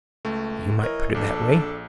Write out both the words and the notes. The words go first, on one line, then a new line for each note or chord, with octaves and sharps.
"You might put it that way."
C#2 A3
E3 A#4 C#5 D#5
A#1 D4 A4